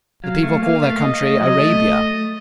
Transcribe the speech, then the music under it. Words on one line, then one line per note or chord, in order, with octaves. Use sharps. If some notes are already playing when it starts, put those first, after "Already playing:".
The people call their country Arabia.
F#3 F5
A3
A#3 F5
A3
D#5
A3
F#3 D#5
A3